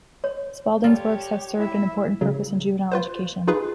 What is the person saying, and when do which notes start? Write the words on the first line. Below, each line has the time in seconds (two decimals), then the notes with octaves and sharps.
Spaulding's works have served an important purpose in juvenile education.
0.24 C#5
0.84 G3 F4 G4 A4 C#5
1.58 E4 E5
2.21 C#3 F#3
2.92 F4 B4 C5
3.47 D#4 F4 G#4 B4